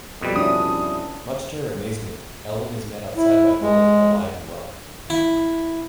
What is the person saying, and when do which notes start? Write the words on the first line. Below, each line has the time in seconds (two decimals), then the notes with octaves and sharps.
Much to her amazement, Ellen is met outside by Lori, alive and well.
0.21 F2 B2 G3
0.36 C#4 D4 E4 D#6
3.17 E4
3.61 G#3
5.10 E4